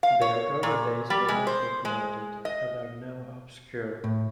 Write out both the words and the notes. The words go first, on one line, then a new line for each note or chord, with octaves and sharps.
Their early days were not documented and are now obscure.
F5
C#5
A#2
G3
G#3
C5
G#3
D#5
A2